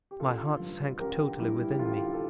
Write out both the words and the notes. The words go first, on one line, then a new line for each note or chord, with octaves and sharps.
My heart sank totally within me.
G4
A1 F4 A4
D3
G2
G3
A1 G4 A#4
D3
G2 E4 G4
G3
G4
A1 F4 A4
D3
A4